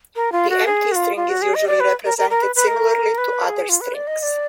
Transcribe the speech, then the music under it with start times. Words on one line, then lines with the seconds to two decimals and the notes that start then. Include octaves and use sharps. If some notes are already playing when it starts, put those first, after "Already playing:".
The empty string is usually represented similarly to other strings.
0.16 A#4
0.32 F4
0.50 F#4
0.66 G#4
0.92 F#4
0.96 F4
1.17 F4
1.29 F#4
1.42 G#4
1.55 D#5
1.67 D5
1.80 B4
2.05 A#4
2.18 A#4
2.30 A#4
2.42 B4
2.56 B4
2.67 A#4
3.18 B4
3.44 A#4
3.48 G#4
3.69 F4
3.81 B4
3.94 D5
4.07 D#5
4.19 D#5
4.23 D5